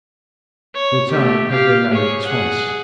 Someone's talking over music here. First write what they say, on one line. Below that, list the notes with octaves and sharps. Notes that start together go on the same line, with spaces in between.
Ruttan has been married twice.
C#5
A3 G4
G4 F5
G#4 C#5
G#4 F#5